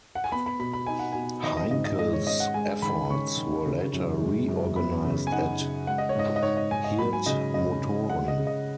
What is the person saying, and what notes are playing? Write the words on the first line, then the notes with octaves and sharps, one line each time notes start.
Heinkel's efforts were later re-organized at Hirth Motoren.
F#5
G#5
B3 B5
B5
B2 B5
B5
D#4 G#5
F#5
B2 G#5
D#3 D#5
D#5
G#2 D#5
D#5
G#3 D#5
C#5
C#4 D#5
F#5
G#3 G#5
D#3 B5
C#4 C#6
D#3
C#3
F#2
G#3
F#2
B3 B5
C#3
G#5
D#4 F#5
C#3
G#3 F#5
D#5
C#5
G#2 D#5
D#5
D#4 C#5
D#5
G#2 G#5
D#5
F#3 B5
G#5
C#3 D#5
C#4 D#5
C#3
G#3 F#5
D#5
C#3
D#5